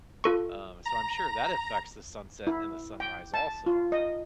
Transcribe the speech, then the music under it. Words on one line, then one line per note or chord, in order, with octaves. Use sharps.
Um, so I'm sure that affects the sunset and the sunrise also.
F4 A4 C#6
A#5
E4
G5
A5
F4
D#5